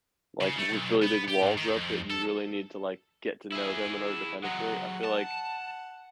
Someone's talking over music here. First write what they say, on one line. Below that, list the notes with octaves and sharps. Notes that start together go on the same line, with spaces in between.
like re really big walls up that you really need to, like, get to know them in order to penetrate. I feel like,
C#3
A3
B1
B3
G4
G#2
D#3
F2
A4
E4 G#4
F#3 G#3 F#5
A5